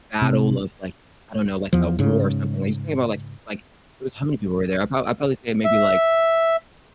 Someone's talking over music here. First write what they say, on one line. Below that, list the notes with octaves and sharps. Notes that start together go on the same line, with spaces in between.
battle of, like I don't know, like, a war or something, like, just think about like like it was how many people were there? I prob I'd probably say maybe, like
C3
E2 F3
G#2 C#3
E5